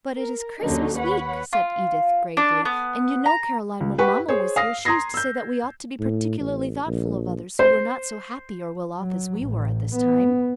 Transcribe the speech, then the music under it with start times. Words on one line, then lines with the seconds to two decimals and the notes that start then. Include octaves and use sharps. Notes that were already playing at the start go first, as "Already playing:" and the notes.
"But it is Christmas week," said Edith gravely, "and you know, Caroline, when Mamma was here she used to say that we ought to be particularly thoughtful of others who were not so happy or well-off as we were at this time."
0.14 A#4
0.61 D#2 D3 F#3 C#4 D#4
0.98 B4 C#5 F#5 B5
1.53 F4
2.37 D4
2.65 B3
3.26 A#5
3.80 C#2
3.98 G4 B4 F#5 C#6
4.28 G#4 C5 C#5
4.56 F5 D#6 A#6 C7
4.85 A#5 C6 D#6 G#6 A#6 C7
5.14 E6 G6
5.99 A2
6.39 A1
6.87 A#1
7.59 C5
8.97 F#3
9.40 A1
9.95 B3